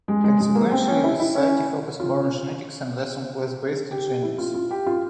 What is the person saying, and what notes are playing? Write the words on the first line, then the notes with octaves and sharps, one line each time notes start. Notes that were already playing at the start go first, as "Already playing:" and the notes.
Consequentially, the society focused more on genetics and less on class-based eugenics.
G#3
G#3
G#3
A#3
C4
C#4
E4
E4
C#4
F4
G4
G4
E4
F4
F4
G4
F4